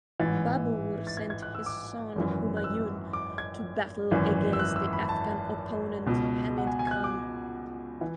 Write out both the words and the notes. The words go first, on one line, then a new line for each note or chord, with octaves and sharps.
Babur sent his son Humayun to battle against the Afghan opponent Hamid Khan.
A1 G#2 E3 A6
A6
G#6
G#6
F#6
E6
D6
G#1 F#2 E3
F#6
E6
D6
G#6
G#1 F#2 E3
E6
F#6
E6
B5
A5
C#2 B2
F#5
G#5
G#5
G#6
F#6
D6
E3